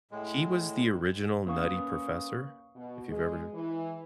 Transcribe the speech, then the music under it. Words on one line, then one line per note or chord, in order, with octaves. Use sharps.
He was the original Nutty Professor, if you've ever
A2 G#3
A#3 C#4 B4 F5 C#6 D#6
B2
G#3
E3